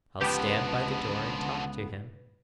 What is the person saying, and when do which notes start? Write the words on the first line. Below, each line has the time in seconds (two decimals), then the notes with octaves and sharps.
'I'll stand by the door and talk to him.'
0.21 C#2 D3 F3 B3 G4 B4